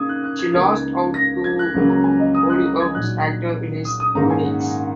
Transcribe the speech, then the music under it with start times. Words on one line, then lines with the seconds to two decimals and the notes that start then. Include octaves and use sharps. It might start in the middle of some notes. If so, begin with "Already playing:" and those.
She lost out to "Hollyoaks" actor Ellis Hollins.
Already playing: C#3 A#3 D#4 D#6 G#6
0.09 F#6
0.24 F#6
0.39 G#6
0.54 C#2 C#3 A#3 D#4 G#6
1.14 A#6
1.44 G#6
1.59 F#6
1.75 C#2 C#3 F#3 A#3 C#4
1.90 A#5
2.04 G#5
2.19 D#5
2.35 D#6
2.50 F#6
2.64 F#6
2.80 G#6
2.95 A#2 F#3 D#4 F#6
3.85 D#6
4.00 D#6
4.15 G#2 D#3 A#3 C#4 A#5
4.30 G#5
4.45 F#5
4.60 F#5